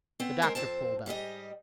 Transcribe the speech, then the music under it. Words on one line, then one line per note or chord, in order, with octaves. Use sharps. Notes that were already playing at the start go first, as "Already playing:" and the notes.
The doctor pulled up.
B3 C4
G#3 C4 A#4 C5
F2 C4 C5 A5
G#2 G3 G4 D#5